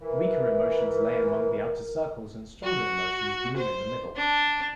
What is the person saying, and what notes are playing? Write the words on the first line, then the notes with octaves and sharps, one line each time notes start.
Weaker emotions lay among the outer circles and stronger emotions bloom in the middle.
E3 A#4
F#4
C5
D4